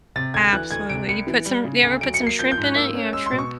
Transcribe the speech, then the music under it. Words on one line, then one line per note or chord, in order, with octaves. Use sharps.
Absolutely, you put some you ever put some shrimp in it? You have shrimp?
C3 A6
D2 G#6
E3 F#6
D2 G#6
C3 D7
C2 C#7
E3
G3
C#3
D2
F#3 D7
C#7
A#3
C7
F3 G6
G6
G#2
F#6
A#3 E6
C#4
G#3 E6
C6
B2
C#6